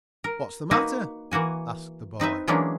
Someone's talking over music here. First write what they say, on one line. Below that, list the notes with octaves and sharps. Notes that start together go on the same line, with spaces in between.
"What's the matter?" asked the boy.
A#4
A#3 D#4 F#4 B4
E3 A#3 F#4 G#5
C4 D#4 B4 E5
E3 F#3 G#3 A#3 C#4 D4